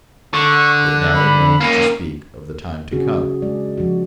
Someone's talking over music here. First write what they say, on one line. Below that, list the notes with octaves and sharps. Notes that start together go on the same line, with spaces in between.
It now remains to speak of the time to come.
D3 C#6
F#6
B5
A#3 C#4
C#3 C#4 F#4 G#4
G#3 D5
F3 F#4